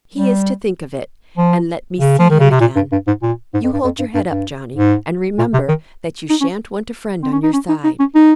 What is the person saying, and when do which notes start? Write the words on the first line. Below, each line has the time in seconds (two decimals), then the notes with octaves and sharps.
He is to think of it, and let me see him again. You hold your head up, Johnny, and remember that you shan't want a friend on your side.
0.15 G3
1.37 F3
2.00 C#3
2.19 F3
2.30 D#3
2.39 C#3
2.50 C3
2.60 A#2
2.76 G2
2.92 G2
3.07 G#2
3.22 A#2
3.54 G#2
3.64 F2
3.73 G2
3.84 F2
3.99 G2
4.14 G2
4.30 G2
4.76 G#2
5.38 A#2
5.53 C3
5.68 D#3
6.30 D#4
6.41 C#4
7.23 C4
7.32 C#4
7.43 D#4
7.53 C#4
7.69 D#4
7.84 D#4
8.00 C#4
8.15 D#4